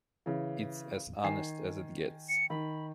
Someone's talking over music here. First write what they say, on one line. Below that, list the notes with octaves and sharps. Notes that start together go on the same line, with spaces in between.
It's as honest as it gets.
C#3 E3
D#3 G#5 C7
C#7
D#3 B5